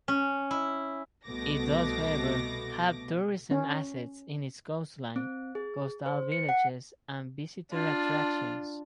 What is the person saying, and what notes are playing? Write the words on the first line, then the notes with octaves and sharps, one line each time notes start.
It does, however, have tourism assets in its coastline, coastal villages and visitor attractions.
C#4
E4
C2 B2 A3 B3 D6 A#6
C#4
C4
G#4
C5
C#7
F#5
D4 F4